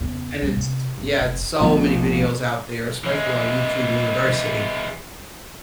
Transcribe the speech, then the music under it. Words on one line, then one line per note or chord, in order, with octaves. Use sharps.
And it's, yeah, it's so many videos out there, especially on YouTube University.
E2 C#3
E2 G3
C3
G1 F3
F1
A#1 F3 A3 B3
E3 G#3